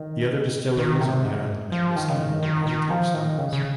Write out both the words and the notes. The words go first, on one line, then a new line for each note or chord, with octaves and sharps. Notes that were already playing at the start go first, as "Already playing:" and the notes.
The other distilleries on the island make whisky in a variety of styles.
Already playing: D#3
D#3
C3
G#2
F3
D#3
C#3
D#3
D#3
D#3
F3
D#3
C#3
C#3